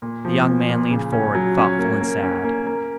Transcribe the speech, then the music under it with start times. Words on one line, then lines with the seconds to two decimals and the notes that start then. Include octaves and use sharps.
The young man leaned forward, thoughtful and sad.
0.02 A#2
0.25 F3
0.47 A#2
0.69 A#2
0.91 C#3
1.12 C#4
1.35 F#3
1.58 C#4
1.79 A#3
2.01 A#3
2.23 C#4
2.45 A#3
2.67 A#3